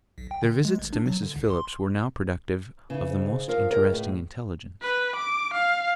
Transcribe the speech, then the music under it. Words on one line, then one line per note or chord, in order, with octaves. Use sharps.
Their visits to Mrs. Phillips were now productive of the most interesting intelligence.
B1
G5
D3
G#3
G#1
D4
F#3
D3
C2
C6
C#3 E3 D#4
G#2
F3 F4 A#4 F5
C#2 A#4
A2
B4
D6
F5